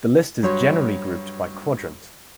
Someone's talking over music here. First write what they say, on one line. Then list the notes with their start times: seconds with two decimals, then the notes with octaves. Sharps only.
The list is generally grouped by quadrant.
0.43 G2 F#3 C#5 C6